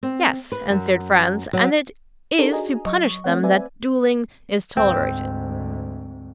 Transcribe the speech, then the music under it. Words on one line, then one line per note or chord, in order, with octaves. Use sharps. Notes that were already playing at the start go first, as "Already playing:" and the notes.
"Yes," answered Franz; "and it is to punish them that duelling is tolerated."
C4
B4
F#2
F#3
D4 D#4 G4 A4 A#4 C#5
D4 F#4 G#4 D#5 G#5 A#5
F#3 D#5 C#6
A3 C4 C5 C#5 F#5
C4 B4 D5 E5 G#5
D2 G#2 C4